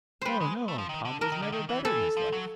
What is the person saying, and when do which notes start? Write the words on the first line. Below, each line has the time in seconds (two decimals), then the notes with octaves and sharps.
"No, no, Tom was never better in his life."
0.22 G3 B4 C5
0.41 G#3
0.68 A3
0.78 F3
0.89 D#3
1.05 D3
1.21 D3 A#4
1.32 D#3
1.42 D3
1.52 D#3
1.69 E3
1.85 E3 A4
2.17 F3
2.33 F#3